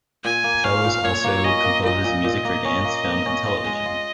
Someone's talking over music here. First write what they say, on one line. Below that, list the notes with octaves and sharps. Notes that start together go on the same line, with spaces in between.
Fellows also composes music for dance, film and television.
A#2 G#5
A#3
C#4 F5
A#2
A#2 C#5
A#3
C#4 D#5
A#3
A#2 D#5
A#2
A#2
A#3
C#4
A#3
A#3
C#4
F4
G#3
F4